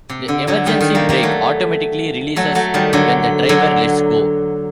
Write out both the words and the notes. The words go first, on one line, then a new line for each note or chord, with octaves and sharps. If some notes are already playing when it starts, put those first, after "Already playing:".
The emergency brake automatically releases when the driver lets go.
C3
D3
D3 F#3
D#3 G3
D#3 G3
G3 A#3
G3 A#3
F#3 A3
F#3 A3
F#3 A3
D#3 G3
D3 F#3
D3 F#3